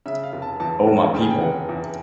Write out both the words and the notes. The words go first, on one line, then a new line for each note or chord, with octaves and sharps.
O my people!
C#3 E5
F5
F1
A5
E2 A5
F1
C#3 G5
G#5
G5
F1 F#5
E2